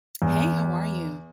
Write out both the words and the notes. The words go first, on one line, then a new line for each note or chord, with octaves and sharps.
Hey, how are you?
E2